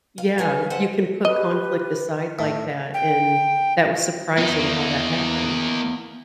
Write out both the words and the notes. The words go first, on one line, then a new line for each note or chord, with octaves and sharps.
yeah, you can put conflict aside like that, and that was surprising how that happened.
F5
C#4 D#4 G#4 B4
A4 C5 D#5 F#5
G4 B4 D#5
A2
G5
D#3 B3 D#4 E4 E5
A#3 D#4